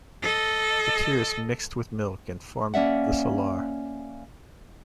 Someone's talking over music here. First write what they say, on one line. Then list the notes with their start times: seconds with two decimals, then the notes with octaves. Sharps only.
Her tears mixed with milk and formed the Salar.
0.22 A4 D#5
2.74 A#3 C#4 D5 E5 F#5